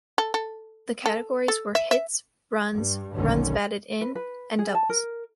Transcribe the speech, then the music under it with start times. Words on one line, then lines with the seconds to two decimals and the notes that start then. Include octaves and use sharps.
These categories were hits, runs, runs batted in, and doubles.
0.18 A4
0.34 A4
1.06 A4
1.48 A4
1.75 E5
1.91 E5
2.72 G2
3.15 F1 B1 D3 D#3 C#4
4.01 B4
4.15 B4
4.59 G#4
4.74 A5
4.89 A#4